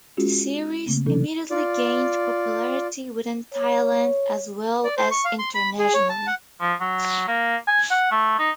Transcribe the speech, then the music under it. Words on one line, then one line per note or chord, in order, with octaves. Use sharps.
The series immediately gained popularity within Thailand as well as internationally.
G#3 C#4 F4 F#4 G#4
C#3 A3 A#3 C4
C3 E3 F#3 C#4 D#4 A4
F4 D5
C#5
D5
C5
C#6
F5
C6
B5
G#4
C#5
A5
F#5
F3
F#3
A#3
G#5
F#5
A3
D#4